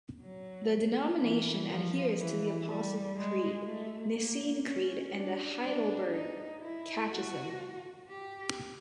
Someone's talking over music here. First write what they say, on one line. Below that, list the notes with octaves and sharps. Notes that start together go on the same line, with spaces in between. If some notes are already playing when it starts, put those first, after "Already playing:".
The denomination adheres to the Apostle Creed, Nicene Creed and the Heidelberg Catechism.
F#3
E3
F3
E3
G3
G#3
A3
A#3
C#4
D4
D4
D#4
E4
F#4
G4